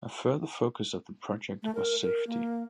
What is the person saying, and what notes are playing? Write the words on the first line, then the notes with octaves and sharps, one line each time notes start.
A further focus of the project was safety.
A3
A#4
A#4
A#3